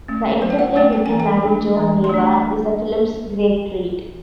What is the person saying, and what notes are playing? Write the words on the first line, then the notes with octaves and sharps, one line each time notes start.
The interplay between Mary Jo and Ava is the film's great treat.
A3 C#4
F#3 C5
G5
F#5
A3 C#4 G5
G5
E3 G#5
G5
A3 D4
E3
C6
A3 D4